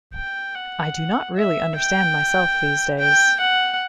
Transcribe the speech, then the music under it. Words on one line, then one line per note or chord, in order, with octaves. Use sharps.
I do not really understand myself these days.
G5
F#5
E5
G5
G5
F#5